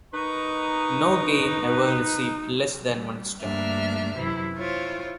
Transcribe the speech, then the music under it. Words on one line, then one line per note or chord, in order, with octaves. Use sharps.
No game ever received less than one star.
D#4 A#4 B4 D#5 A#5 C#6
G3
D2 G2 A#3 D4 E5 F6
F#2 C3 E3 E4
E4 F4 C5 C#5